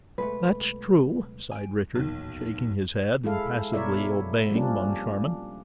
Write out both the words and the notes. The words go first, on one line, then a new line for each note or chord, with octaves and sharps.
"That's true!" sighed Richard, shaking his head and passively obeying Moncharmin.
B1 G#3 A3 B4
G5 G#5
D1 B1 E2 A#2 D#3
G#3 E4 A4 F5
B2 E4 A#4 C#5 D5 E5
F3 G3 A#3 C#4 D4